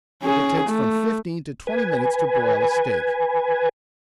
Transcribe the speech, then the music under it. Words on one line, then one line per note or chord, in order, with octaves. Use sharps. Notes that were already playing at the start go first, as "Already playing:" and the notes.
It takes from fifteen to twenty minutes to broil a steak.
C#4 G#4
A3
B4 G#5